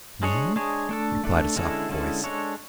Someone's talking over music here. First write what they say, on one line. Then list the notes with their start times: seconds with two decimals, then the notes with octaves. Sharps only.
'Me?' replied a soft voice.
0.23 G#3 D4 G#4 C#5
0.56 G#3 D4 G#4 C#5
0.89 A3 D4 A4
1.24 A3 D4 A4
1.56 D3 G#3 C#4 E4 A4
1.89 D3 G#3 C#4 E4 A4
2.24 G#3 D4 A4 C#5